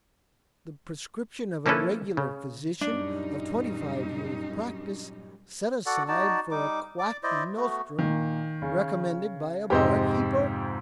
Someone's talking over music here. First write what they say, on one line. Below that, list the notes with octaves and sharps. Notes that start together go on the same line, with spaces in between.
The prescription of a regular physician, of twenty-five years' practice, set aside for a quack nostrum, recommended by a bar-keeper!
F3 A#3 C#4 E4 A4 B4
C#3
F#2 A#2 G3 D4 D#4
F#4 A4 D5 F#5
D#4 F#4 D5 A5
G3 D#4 D6
D5 D6
E4 C5 D5 D#5
A3 B3 F#4
A#2 D#3
C#3
F2 G#2 C3 G4 C5 D#5